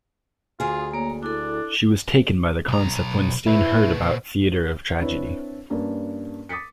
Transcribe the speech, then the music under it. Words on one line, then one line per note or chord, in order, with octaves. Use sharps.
She was taken by the concept when Stene heard about Theater of Tragedy.
D2 F4 G#4
A#3 C#5 A#5
D4 E4 A4
B1 A#5
A#2 E4 B4
C4 D4 E4 B4 C#5
G2 A#3 C#4 D4
D6 D#6 A6 B6 C#7